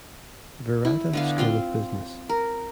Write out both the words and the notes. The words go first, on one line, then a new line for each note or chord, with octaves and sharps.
Virata School of Business.
E4
D3 B3 F5
C4 F4 F5 C6
A#4